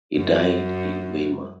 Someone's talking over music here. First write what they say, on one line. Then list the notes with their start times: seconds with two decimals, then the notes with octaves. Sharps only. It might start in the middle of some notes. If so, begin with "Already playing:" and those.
He died in Weimar.
0.16 F#2